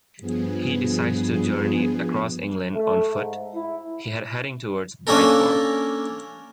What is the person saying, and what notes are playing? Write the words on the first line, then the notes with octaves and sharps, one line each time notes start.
He decides to journey across England on foot, heading towards Bideford.
G2 F3 B3 G#4
A3
G#2
E4
A#3 C#4 D4 A4 A#4